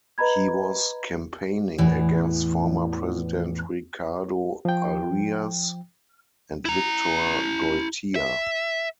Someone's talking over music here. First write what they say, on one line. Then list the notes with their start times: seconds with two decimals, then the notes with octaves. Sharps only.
He was campaigning against former president Ricardo Arias and Victor Goytia.
0.18 B4 D#5 A#5 B5 G#6
1.78 E2 A2 E3
4.65 F3 G5
6.65 E4 A#5
8.15 E5